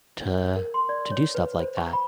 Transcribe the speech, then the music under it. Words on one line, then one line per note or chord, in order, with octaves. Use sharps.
to to do stuff like that.
A#4
C6
D5
C#5
B4
C5
C#6
B5